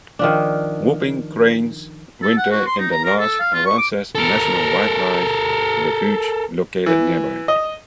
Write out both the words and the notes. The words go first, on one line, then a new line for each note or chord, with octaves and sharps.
Whooping cranes winter in the large Aransas National Wildlife Refuge located nearby.
D#3 F3 D4
A4
F#5
F#4
C6
D#4
A#5
A#4
A4
F5
F4
C#6
D6
A4 A#4
E3
D#5